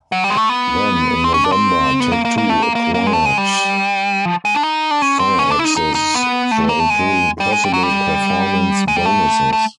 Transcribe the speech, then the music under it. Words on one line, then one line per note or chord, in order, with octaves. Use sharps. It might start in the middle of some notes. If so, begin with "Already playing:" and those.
Then in November, Take-Two acquired Firaxis for including possible performance bonuses.
F#3
G3
G#3
A3
B3
C4
C#4
D4
C4
B3
A#3
A#3
A#3
A3
A#3
A#3
A#3
G#3
A3
G#3
G3
F3
G#3
D4
D#4
D4
C#4
C4
C#4
D4
E4
D#4
D#4
D#4
B3
A3
A#3
A3
G#3
G3
G#3
G3
F#3
G3
G#3
G3
A3
A3